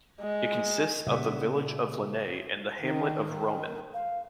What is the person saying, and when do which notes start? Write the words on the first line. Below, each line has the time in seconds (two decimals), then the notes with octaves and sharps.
It consists of the village of Lonay and the hamlet of Roman.
0.20 G#3
1.07 A#2 C#3 G3 E5 F#5
2.80 D#3
3.94 F5